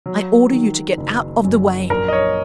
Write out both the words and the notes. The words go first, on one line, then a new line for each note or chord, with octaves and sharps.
I order you to get out of the way.
F#3
D#3
F#1
F#2
A#1 A#4
D#5
C#5